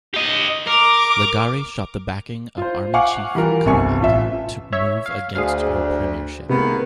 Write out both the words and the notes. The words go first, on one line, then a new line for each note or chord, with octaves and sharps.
Leghari sought the backing of the Army Chief, Karamat, to move against her premiership.
G4 D#5
A#4 D6
F4 C5
F5 F#5 G#5 C#6 D6
E3 G3 F4 A#4
G1 C2 C3 G#5 C#6
A1 F4 E5
C#5 E5
F5
D2 F#4 G#4 C5 D5 F5
C2 C3 D#3 G#3 A#3 B3